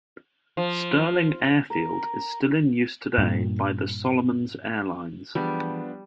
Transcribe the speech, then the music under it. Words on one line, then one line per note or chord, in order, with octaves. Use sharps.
Stirling airfield is still in use today by the Solomons Airlines.
F3
A#4
G2 A#2
E3 F3 G3 B3 D4 G4 G#4 D5